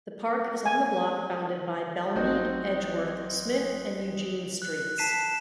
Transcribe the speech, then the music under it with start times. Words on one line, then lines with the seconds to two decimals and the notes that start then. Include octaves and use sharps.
The park is on the block bounded by Bellemeade, Edgeworth, Smith, and Eugene Streets.
0.66 G#5
2.16 G#1 F#3 C4 D#4 F#4 G6
4.62 F#6
4.98 A5 B6 C7 D#7 E7
5.21 E7